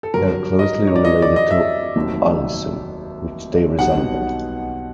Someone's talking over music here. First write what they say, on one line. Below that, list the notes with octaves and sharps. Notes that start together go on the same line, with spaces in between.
They are closely related to "Alyssum", which they resemble.
A4
G2 D3 F#3 A#4
D#5
C#5
D5
D#5
D5
D#5
E5
F1 D#2 D#3 F#3 A3
B1 B2 G3 B3 D#4 F#5